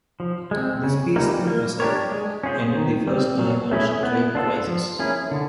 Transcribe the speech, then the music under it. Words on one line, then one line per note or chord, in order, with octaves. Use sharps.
This peaceful result ended the First Taiwan Strait Crisis.
F3
G#3 C4
C#3
E3 G3 A#3 D#4
A#3
D4 G4 A#4 C#5
G#3
C#4 F4 G#4 C5
D#3
G3 C4
F#3
A3 C#4 E4 G#4
B3
D4 F4 A4
F3
A#3 C#4 E4 G#4
D3